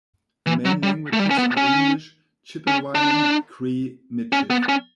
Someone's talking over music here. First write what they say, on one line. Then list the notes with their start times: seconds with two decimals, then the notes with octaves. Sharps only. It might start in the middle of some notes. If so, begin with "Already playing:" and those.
The main languages are English, Chipewyan, Cree, Michif.
0.46 E3
0.65 F#3
0.83 G3
1.13 A3
1.19 G3
1.31 C#4
1.38 B3
1.57 C#4
2.67 C#4
2.95 D4
4.33 C#4
4.50 B3
4.69 C#4